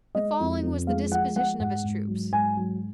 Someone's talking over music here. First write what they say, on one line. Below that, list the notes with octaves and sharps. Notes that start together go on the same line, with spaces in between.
The following was the disposition of his troops.
G#3 D#5
F2
F2
G#3 F5
F3 F#5
G#3 F#5
G#2 F#5
G#2
F#3
G#2 G#5
F#3